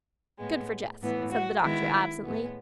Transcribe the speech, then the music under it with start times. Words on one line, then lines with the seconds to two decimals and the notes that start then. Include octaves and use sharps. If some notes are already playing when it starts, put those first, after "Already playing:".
"Good for Jess," said the doctor absently.
0.38 A2 G#3 B3
1.00 A2 E3 B3
1.32 F#4
1.63 D#3 G#3 B3 E4
2.24 A2 G#3 B3